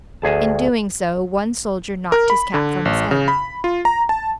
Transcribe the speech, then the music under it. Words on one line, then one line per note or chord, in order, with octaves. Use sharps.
In doing so one soldier knocked his cap from his head.
D2 G#4 A5
A#4
B5
D3
A1
C#3
B5
F4
A#5
A5